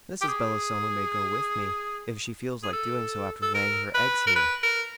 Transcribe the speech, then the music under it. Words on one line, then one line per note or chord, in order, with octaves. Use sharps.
Mrs. Belostoma may go with me, if she feels like doing so after laying her eggs here.
G4
G#4
G#4
A4
A4
A#4
B4
A#4
B4
A#4